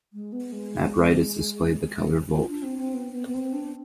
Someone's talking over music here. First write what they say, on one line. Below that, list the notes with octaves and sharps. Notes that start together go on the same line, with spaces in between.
At right is displayed the color Volt.
G#3
B3
G#3
F4
D4
C4
C4
B3
B3
B3
C4
D4